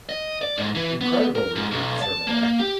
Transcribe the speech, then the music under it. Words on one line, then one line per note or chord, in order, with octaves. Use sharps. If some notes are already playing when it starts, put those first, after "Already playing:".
"Incredible?" repeated Servadac.
D#5
D5
G#2
E3
B3
A#4
G#2
B1
A5
A#3
G4